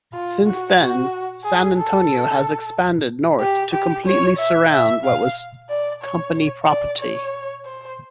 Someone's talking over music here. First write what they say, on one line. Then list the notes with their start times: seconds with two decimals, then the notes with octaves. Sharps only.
Since then San Antonio has expanded north to completely surround what was company property.
0.13 F4
0.46 F#4
0.79 F#4
1.44 G#4
1.77 A4
3.40 G4
3.73 G4
4.06 C#5
4.38 E5
4.71 E5
5.04 F5
5.69 D5
6.02 C#5
6.68 D5
7.00 C#5
7.65 C5